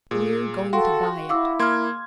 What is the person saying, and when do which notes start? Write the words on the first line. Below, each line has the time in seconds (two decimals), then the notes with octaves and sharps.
"We're going to buy it."
0.11 A#2 G#4
0.73 F#4 A4 F5 G5 C6
1.29 E4 F5 D6 E6
1.60 A#3 C6 F6 G#6